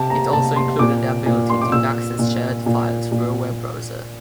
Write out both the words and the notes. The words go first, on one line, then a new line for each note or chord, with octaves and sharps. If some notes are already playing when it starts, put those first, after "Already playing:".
It also included the ability to access shared files through a web browser.
Already playing: C3 A5
A#5
C3 A5
C6
A#2 D6
A#2
C6
D6
A#2 E6
A#2
A#2
A#2